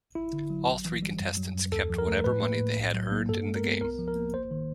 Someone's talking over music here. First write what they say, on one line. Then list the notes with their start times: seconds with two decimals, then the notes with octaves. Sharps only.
All three contestants kept whatever money they had earned in the game.
0.15 G1 E4
0.33 D3
0.50 F#3
0.68 A1
0.85 E3
1.03 G3
1.20 F#2
1.37 F#3
1.55 F#2
1.72 D#2 A4
1.90 F3
1.98 A#4
2.07 A3
2.24 A2 B4
2.42 A#3
2.59 A2
2.76 B1
2.94 F#3
3.12 A#3
3.29 G2 A4
3.46 G#3
3.55 A#4
3.64 B3
3.81 C2 A#4
3.99 F3
4.08 A#4
4.16 A#3
4.33 G#1 C5
4.51 D#3